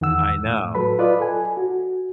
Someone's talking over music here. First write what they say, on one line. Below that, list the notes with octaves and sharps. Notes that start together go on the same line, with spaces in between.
I know.
E2 D#3 F#5 E6
A2
F#3 A4 B4 B5
F4 B4 D5 D#5
A4 G#5
F#4